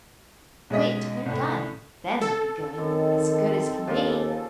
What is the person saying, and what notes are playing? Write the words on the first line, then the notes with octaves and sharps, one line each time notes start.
"Wait till they're done; then they'll be good--as good as can be!"
B1 G#3 C#4 D#5 B6
C2 A2
A4
F#2 D#3 C4 D#4
D#2 C#3 F3 A#3